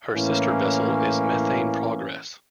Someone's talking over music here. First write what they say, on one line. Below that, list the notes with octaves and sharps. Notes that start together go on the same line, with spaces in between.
Her sister vessel is "Methane Progress".
A2 E3 A#3 C#4